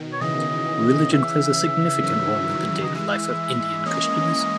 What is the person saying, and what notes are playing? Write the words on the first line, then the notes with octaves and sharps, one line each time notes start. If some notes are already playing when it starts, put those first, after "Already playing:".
Religion plays a significant role in the daily life of Indian Christians.
Already playing: B2 D#3
C#5
C#3 E3 D#5
E5
D#3 F#3
D#3 F#3
D#5
E3 G#3 E5
A#3 C#4 D#5